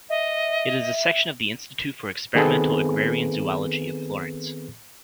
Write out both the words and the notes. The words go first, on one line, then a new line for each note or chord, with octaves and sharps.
It is a section of the Institute for Experimental Agrarian Zoology of Florence.
D#5 E5
D#3 B3 C4 G#4 A4 B4